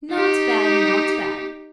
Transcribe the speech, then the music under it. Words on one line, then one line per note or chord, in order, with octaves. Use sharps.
Not bad, not bad.
D#4 G4